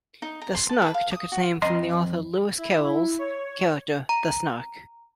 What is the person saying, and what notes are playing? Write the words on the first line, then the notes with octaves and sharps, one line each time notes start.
The Snark took its name from the author Lewis Carroll's character the "snark".
D#4
A#5
C6
A5
B4
F5
D#6
F#4
F2 D#5 A#5 C6
E4
C#5
A#5